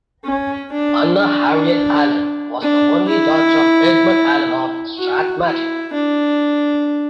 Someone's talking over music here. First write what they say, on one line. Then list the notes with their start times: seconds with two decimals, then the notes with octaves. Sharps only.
Anna Harriet Allen was the only daughter of Edmund Allen of Strathmartin.
0.24 C#4
0.72 D4
1.19 D4
2.61 D4
3.08 E4
4.98 F#4
5.45 E4
5.93 D4